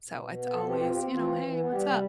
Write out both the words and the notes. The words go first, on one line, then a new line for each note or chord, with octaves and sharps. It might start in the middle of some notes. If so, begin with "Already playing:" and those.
so, it's always, you know, "Hey, what's up?"
B2
B2
B3
B2 A4
C4 G4
C4 F4
G4
C4
E3 F4
E3
E3
B3
G3 G4
C3